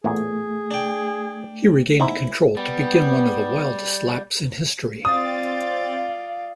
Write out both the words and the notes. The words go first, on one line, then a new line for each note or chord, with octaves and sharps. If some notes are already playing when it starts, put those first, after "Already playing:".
He regained control to begin one of the wildest laps in history.
A1 E2 A#2 A3 G#4
D4 G5
E2 D#4 E4 C5
G3 B3
C4 F4 D5 F5 D#6 A6